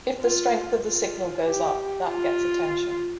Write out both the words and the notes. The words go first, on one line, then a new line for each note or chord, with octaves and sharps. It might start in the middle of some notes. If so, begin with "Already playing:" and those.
If the strength of the signal goes up, that gets attention.
F4
F4
G4
F4